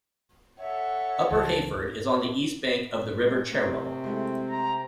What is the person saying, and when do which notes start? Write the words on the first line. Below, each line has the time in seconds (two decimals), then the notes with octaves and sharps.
Upper Heyford is on the east bank of the River Cherwell.
0.59 A4 C#5 E5 F#5
1.30 C#2 E3 A5
2.66 B6
3.12 G#2
3.51 A2 C3 C4 A#4
4.04 G#3 A3 E4
4.51 A#5